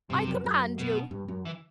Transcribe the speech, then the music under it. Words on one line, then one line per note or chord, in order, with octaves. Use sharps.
"I command you!"
G2 C3
F#2
F#2
B2
G2
F#2
E3